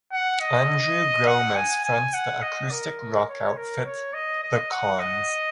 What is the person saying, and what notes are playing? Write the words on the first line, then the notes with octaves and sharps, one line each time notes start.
Andrew Gomez fronts the acoustic rock outfit, The Cons.
F#5
D#5
F#5
G#5
G#5
F#5
D#5
A#4
C#5
A#4
C#5
D#5
D#5
F#5
D#5